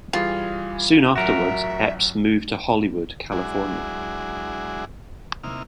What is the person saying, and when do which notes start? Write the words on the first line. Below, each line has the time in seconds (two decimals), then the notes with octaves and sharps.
Soon afterwards Epps moved to Hollywood, California.
0.13 E3 G3 F4 G#4
1.16 A1 F#3 F#4 A#4 E5 E7
3.32 F#3 G#3 D4 E4 F#4 G#4
5.44 C3 A#3 D#4 E4 F6